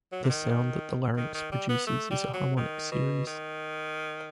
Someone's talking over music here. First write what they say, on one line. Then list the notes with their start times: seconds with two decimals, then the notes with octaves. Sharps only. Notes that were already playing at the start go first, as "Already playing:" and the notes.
The sound that the larynx produces is a harmonic series.
0.12 F#3
0.24 C3
0.29 D#3
1.16 D#3
1.34 D#3
1.52 G3
1.69 B3
1.87 A3
2.10 G3
2.34 F#3
2.57 D#3
2.92 B2
3.27 D#3